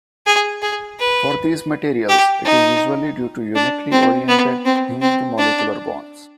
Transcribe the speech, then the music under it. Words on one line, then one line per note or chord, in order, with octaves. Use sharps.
For these materials, it is usually due to uniquely oriented, hinged molecular bonds.
G#4
G#4
B4
G4
D#4
D4
C4
B3
C4
C4
D4